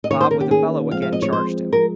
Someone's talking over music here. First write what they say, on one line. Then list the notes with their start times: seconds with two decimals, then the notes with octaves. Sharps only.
Bob with a bellow again charged him.
0.04 D#5
0.10 D#3 A#3 C#4 C#5
0.21 C5
0.31 A#4
0.41 G4
0.51 G#4
0.91 F3 G#3 C4 F5
1.02 F5
1.13 D#5
1.22 C#5
1.33 C5
1.73 F3 G#3 A#4